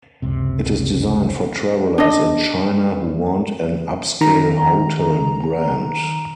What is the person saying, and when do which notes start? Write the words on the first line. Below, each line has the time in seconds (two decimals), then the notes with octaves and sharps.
It is designed for travellers in China who want an upscale hotel brand.
0.22 F#1 C#2 C3
1.98 D4 D#5
4.21 D#3 A#5